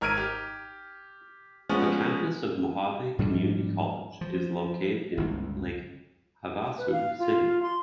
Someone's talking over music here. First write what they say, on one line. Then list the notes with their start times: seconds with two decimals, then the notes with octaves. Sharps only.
A campus of Mohave Community College is located in Lake Havasu City.
0.01 G#1 A#4 F6 G#6 D7 D#7
0.17 G4
1.69 F3 G#3 B3 C#4
3.19 G#2 F3 G3 D4
4.21 F3
5.17 G1 C#2
6.78 B4
6.92 F5
7.19 F4
7.63 C6